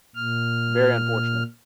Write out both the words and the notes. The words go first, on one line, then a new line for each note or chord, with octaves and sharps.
Very unfortunate.
A#2 F6